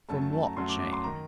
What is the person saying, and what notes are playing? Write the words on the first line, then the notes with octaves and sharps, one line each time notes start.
"From what, Jane?"
F#2 F#3 A3 A5
A5
A5
A#5
F#2 F#3 A3 C6
D6
D6
C6
D#3 A#5